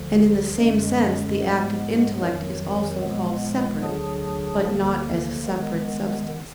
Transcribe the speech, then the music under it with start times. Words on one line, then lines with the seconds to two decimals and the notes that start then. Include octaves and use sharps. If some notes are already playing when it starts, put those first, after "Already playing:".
And in the same sense the active intellect is also called "separate"; but not as a separate substance.
Already playing: D2 D3 F3
0.58 F#2 D3 G#3
1.39 G#2 F3 G#3 B3
2.21 F2 D#3 F#3
3.02 A#2 F3 G#3 B3
3.83 D2 D3 F#3 D4 G#4
4.65 D2 D3 F3 A#3
5.46 D#3 G#3 B3